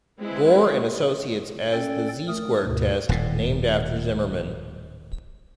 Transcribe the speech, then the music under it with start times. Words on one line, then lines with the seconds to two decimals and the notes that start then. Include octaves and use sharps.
Gore and Associates as the "Z Square" test, named after Zimmerman.
0.20 G#3 C4 E4 B4
1.73 C#4 A4 D5 G5
2.28 A3 A#4 D#6
2.63 D2 G#2 B2
3.09 D#1 A2